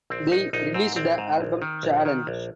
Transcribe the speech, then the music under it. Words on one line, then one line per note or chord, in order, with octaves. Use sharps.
They released the album Challenge!
A#1 C4
A#1 D#4
A#1 D#4
G#2 C4
A#1 C4
G#2
A#1
D#3
A#1
D#3
A#1